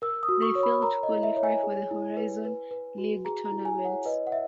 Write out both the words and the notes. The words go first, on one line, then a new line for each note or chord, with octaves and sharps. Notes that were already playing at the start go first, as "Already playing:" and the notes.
They failed to qualify for the Horizon League Tournament.
A#4 E6
D#6
F#4
C#6
C#5
B5
A#4 A#5
D#5
E4
E5
C#5
G#5
G#4
E4
B4
B4
B4
F#4
G#4 A#5
A#5
E4
G#5
C#5
F#5
B4 D#5
F#5
E5